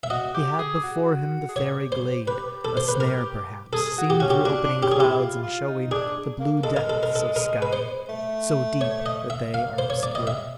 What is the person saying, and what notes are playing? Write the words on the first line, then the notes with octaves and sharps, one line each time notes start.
He had before him the fairy glade, a snare perhaps, seen through opening clouds, and showing the blue depths of sky; so deep, that they are obscure.
E5
F#4 D#5
G4
G#4
F#4
G#4
G4 C#5
C5
G4 B4
A4
C5
B4
A#4
G#4 A4
F#4
G4
C#4 F#4
G4
D4 F#4
D4
C#4 G4
G#4
E4 G4
F4
F4
D#4
D4 G#4
A#3
G#3 A4
A#4
A4
A#4
A4
A#4
B4
C5
A3
C#5
D#5
E5
A#3 F5
C5
C#5
D5
G3 D#5
G#3 E5